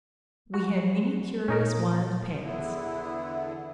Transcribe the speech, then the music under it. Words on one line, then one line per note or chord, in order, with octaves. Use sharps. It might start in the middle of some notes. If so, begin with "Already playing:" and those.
We had many curious wild pets.
F#4
A#2 C#4 D#4 A#4
E2 D3 B3 E4